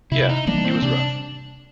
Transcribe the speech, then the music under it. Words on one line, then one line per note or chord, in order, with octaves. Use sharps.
Yeah, it was rough.
C3 E4
D#4
E3 G3 A#3 D4
C4
C3 D4